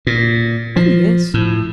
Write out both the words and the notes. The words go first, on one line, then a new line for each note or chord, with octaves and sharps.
"Oh, yes."
A#2
F3
A2